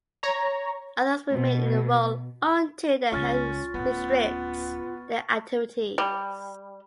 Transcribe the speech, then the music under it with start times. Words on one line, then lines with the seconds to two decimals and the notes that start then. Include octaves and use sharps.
Others remain in the role until their health restricts their activities.
0.23 C#5 A#5
1.31 B2
3.12 C#2 C#3 C#4 F4 C#6 F6 A6
3.74 D1 B3 C#4
5.98 G3